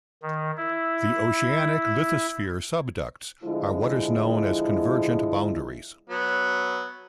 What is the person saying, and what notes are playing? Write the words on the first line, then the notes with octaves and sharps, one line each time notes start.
The oceanic lithosphere subducts at what are known as convergent boundaries.
D#3
E4
D3 F3 G#3 E4
F#3 B3